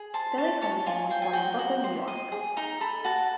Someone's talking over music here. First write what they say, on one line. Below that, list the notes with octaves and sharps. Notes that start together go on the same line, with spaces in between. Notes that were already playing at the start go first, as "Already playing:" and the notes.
Billy Cunningham was born in Brooklyn, New York.
Already playing: G#4
C5 A5
C#5 A5
C#5 A5
F4 G#5
C5 G5
G#5
F#4 G5
F#4
C5
D#5
G#4
D#4 A#5
A4 B5
F#4 A5